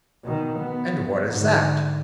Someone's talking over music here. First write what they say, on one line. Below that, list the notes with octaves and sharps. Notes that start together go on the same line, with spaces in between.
"And what is that?"
B2 D#3
B3
G#2 D3